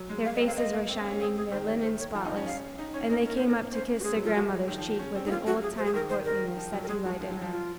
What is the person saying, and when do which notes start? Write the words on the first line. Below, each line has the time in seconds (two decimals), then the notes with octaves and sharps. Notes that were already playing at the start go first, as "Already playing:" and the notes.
Their faces were shining, their linen spotless, and they came up to kiss their grandmother's cheek with an old-time courtliness that delighted her.
Already playing: F#3
0.09 G#3
0.25 A#3 F5
0.36 D#5
0.41 C4
0.46 F5
0.57 A#3 D#5
0.73 A#3
0.88 C4
0.99 C#4
1.10 C#4
1.20 C4 G#4
1.36 G#4
1.51 D#3 C5
1.67 C#5
1.83 C5
1.99 C#5
2.15 F3
2.25 D#4
2.30 D#5
2.36 C#4
2.46 F5
2.78 D#4 D#5
2.93 C#4 C#5
3.09 D#4 A#4
3.21 C#4
3.25 A#4
3.31 C#4 C5
3.47 A#4
3.72 C#4 C5
4.00 F#4
4.04 G#3 G#4
4.15 F#3
4.24 F3 F4
4.35 F#4
4.68 D#3
4.78 F3
4.99 C#4
5.15 C4
5.26 D#4
5.30 A#3 F4
5.47 F#3 F#4
5.62 G#4
5.78 C5
5.86 G#4
5.94 D#3 A#4
6.10 C5
6.25 A#4
6.56 F3
6.73 F#3
6.83 A#4
6.88 G#3 G#4
7.04 F3 F#4
7.21 F3
7.31 F#3
7.41 F3
7.52 F4